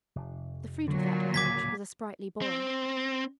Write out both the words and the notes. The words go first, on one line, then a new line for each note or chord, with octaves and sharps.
The fruit of that marriage was a sprightly boy.
F1
A#2 D3 F#3
D1 C#3 F3 D6 G#6 B6
C4